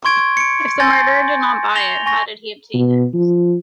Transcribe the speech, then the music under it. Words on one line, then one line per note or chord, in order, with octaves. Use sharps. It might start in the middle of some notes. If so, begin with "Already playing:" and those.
If the murderer did not buy it, how did he obtain it?
C6 C#6 G#6 D7
C#7 D7
G#5 C6 G6 A6 A#6
A#6 F7 G7
G#5 C#6 A#6
B2
F3